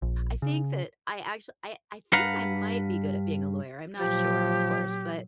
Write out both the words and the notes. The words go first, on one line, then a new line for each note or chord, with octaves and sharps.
I think that I actua I I think I might be good at being a lawyer, I'm not sure, of course, but
A#1
C#3
G2 B4 F5 F#5 A#5
A#2 F3 F#3 G4